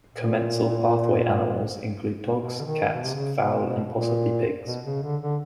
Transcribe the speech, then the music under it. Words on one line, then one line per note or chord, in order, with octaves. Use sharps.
Commensal pathway animals include dogs, cats, fowl, and possibly pigs.
A#2
B2
D3
D#3
B2
C3
C#3
B2
B2
A#2
B2
C#3
D3
D3